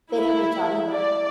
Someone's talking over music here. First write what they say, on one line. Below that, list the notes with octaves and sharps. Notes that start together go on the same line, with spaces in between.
they didn't reach out either.
E4
D5